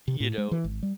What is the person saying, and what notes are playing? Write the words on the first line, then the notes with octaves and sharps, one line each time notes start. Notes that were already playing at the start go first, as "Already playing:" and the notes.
you know
C3
A2
G#3
E3
G#1
G3